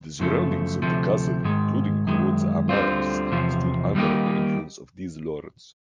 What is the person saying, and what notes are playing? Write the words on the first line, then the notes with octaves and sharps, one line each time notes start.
The surroundings of the castle, including Groot-Ammers, stood under the influence of these lords.
F#2 C#3 F3 A3
D2 C3 F3 A3
G#2 D#3 G#3
F#2 D#3 G#3
D2 D3 G3 C4 F4
E2 C3 F3
D#3 G3 A#3 D#4 G4